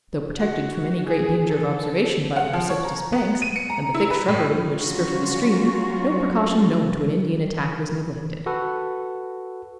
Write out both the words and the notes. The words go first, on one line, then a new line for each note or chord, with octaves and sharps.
Though protected from any great danger of observation by the precipitous banks, and the thick shrubbery which skirted the stream, no precaution known to an Indian attack was neglected.
F#4
G#4
A4
F#5
F3
C#5
A#5
B3
D#7
C#7
A#5
E4
B4
A2
F#3 G3 C#4 F4 F#4
F#4 A4 B4